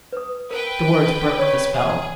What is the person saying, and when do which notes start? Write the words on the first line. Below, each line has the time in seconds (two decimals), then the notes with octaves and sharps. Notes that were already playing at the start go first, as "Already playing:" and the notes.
The words broke the spell.
0.13 B4 D#6
0.51 A#4 B4 G5
1.38 C#5 D5 C#6
1.73 G#4